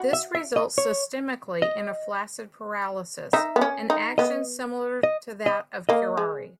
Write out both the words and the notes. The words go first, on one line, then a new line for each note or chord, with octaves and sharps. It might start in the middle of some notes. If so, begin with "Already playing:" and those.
This results, systemically, in a flaccid paralysis, an action similar to that of curare.
Already playing: F#4
E5
E5
D#5
C#5
D#5
D#4 E5
B3
C#4
D#4
B3 D#5
D#5
D#5
A#3 D#5
G#3